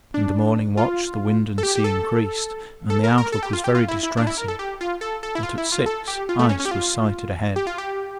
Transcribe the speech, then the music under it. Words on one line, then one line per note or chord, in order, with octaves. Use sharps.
In the morning watch the wind and sea increased and the outlook was very distressing, but at six ice was sighted ahead.
D4
F4
A4
G4
G4
A4
A4
A#4
A#4
A4
G4
F4
G4
F4
E4
E4
D4
E4
A#4
A4
G4
F4
A4
A4
E4
F4
E4
F4
A4
G4
F4
A3
C#4
C#4
G4
F4
G4
F4
G4